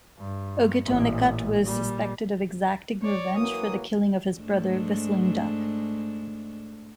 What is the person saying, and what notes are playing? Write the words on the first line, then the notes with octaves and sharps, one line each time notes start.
Ogetonicut was suspected of exacting revenge for the killing of his brother, Whistling Duck.
G2
A1 A#2
A#2 G3
C#5 D5
E3 F#3 A#3 D#6
G#2 A3 D4